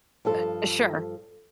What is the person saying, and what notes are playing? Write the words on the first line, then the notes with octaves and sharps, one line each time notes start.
Eh sure.
G2 F3 A4